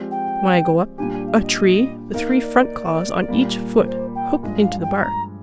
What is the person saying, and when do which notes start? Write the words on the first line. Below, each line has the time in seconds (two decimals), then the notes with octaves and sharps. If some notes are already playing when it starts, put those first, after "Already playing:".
When I go up a tree the three front claws on each foot hook into the bark.
Already playing: F3 G#3 C4 G4 D5
0.11 G5
0.98 A#2 G3 D4 G4 G#5
1.12 G#5
1.27 F5
1.41 D#5
2.14 A#3 D#4 A#4 F5
2.42 D5
3.28 A#2 G3 A#3
3.76 A#4
3.86 C5
4.15 G5
4.43 G2 F3 G#3 D4 D#5
4.62 F5
4.82 G5
5.01 A#5